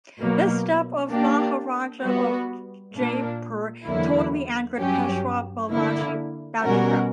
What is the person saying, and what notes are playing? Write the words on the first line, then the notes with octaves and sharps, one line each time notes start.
This step of Maharaja of Jaipur totally angered Peshwa Balaji Bajirao.
B2 F#3 A#3
A#3 D4 G4
G3 B3 F#4 B4
A#2 A#3 D4
E2 D3 F#3 A#3 E4
G2 F#3 C#4 G4
D3 A#3 E4
B2 G3 C#4 F#4 A#4